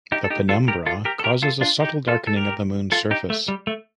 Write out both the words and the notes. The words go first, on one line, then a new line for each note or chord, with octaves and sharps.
The penumbra causes a subtle darkening of the moon's surface.
D#4 G4
A4
D#4 G4
F4 A4
G4 A#4
F4 A4
G4 A#4
A4
G4 A#4
F4 A4
D4 F4
D#4 G4
F4 A4
A4
G4 A#4
F4 A4
D#4 G4
A3
G3
A3